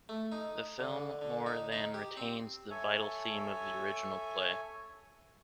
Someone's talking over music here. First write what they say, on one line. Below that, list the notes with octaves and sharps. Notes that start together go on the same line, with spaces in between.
The film more than retains the vital theme of the original play.
A3
D#4
D3
D3
D#4
D#4
G4
C4
A4 C#5 E5 G#5